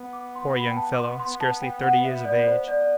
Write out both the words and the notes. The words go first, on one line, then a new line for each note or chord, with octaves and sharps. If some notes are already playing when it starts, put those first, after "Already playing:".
"Poor young fellow--scarcely thirty years of age!"
Already playing: B3
D6
C6
B5
G5
A5
D6
C6
C6
A5
G5
F#5
E5
D5
D5
B3 C5
D5
D5